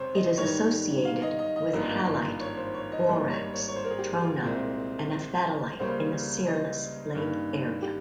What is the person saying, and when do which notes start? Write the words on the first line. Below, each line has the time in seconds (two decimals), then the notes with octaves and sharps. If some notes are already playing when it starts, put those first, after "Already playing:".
It is associated with halite, borax, trona and aphthitalite in the Searles Lake area.
Already playing: F2 C3 G#3 C4 C5 C#5
0.15 D#5
0.37 G#2 D#3 G3 C#5
1.05 F5
1.22 D#5
1.39 D#5
1.56 D#5
1.73 G#1 G2 F3 A#3 D#5
2.41 C#5
2.57 C5
2.74 C#5
2.92 D#5
3.08 G#1 G#2 G3 A#3 D#5
3.31 C#5
3.54 C#5
3.68 C#5
3.76 C5
3.84 A#4
3.91 G#4
3.99 G4
4.21 F4
4.44 C2 A#2 G#3 C4
5.79 C#2 C#3 G3 A#3 C#4 C5
6.47 D#5
7.15 G2 D#3 A#3 C#4
7.82 G4